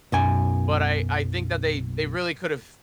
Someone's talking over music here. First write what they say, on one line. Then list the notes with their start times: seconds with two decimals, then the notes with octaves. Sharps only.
But I I think that they they really could've
0.12 B1 F#2 G#5